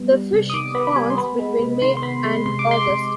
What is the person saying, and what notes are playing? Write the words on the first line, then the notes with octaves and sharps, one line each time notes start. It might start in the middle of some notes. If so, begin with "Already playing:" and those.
The fish spawns between May and August.
Already playing: G3 B3
G3
C3
D#6
D#3 D6
B3 B5
B5
G3 G#5
C6
B3 B5
G#3
C3
D#3 C6
C6
B3 B5
G#3 C6
C3 C6
D6
G#3 C6
C3